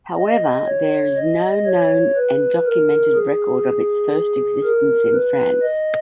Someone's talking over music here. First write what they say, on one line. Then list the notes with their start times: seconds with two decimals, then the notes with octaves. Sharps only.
However, there is no known and documented record of its first existence in France.
0.18 D#5
0.67 C#5
1.17 D#5
1.67 C#5
2.16 B4
2.66 A#4
3.15 G#4
4.64 A#4
5.14 B4
5.63 D#5